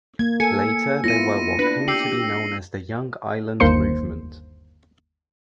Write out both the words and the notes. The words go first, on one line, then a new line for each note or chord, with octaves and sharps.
Later they were what came to be known as the Young Ireland movement.
A#3 G#6
A4 G#5 C#7
B3 E4 F4 A#6 D#7
D4 B4
G4 E6 C7 F#7
G1 D#2 A#3 C5 C6 C#7